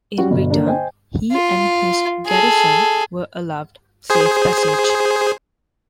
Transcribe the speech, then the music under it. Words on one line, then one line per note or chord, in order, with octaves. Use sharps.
In return, he and his garrison were allowed safe passage.
G3 C#4 F#4
G1 B2
D3 A#3 D4
C5 D#5 G5 G#5
F4
G#4 A4
G#4 C5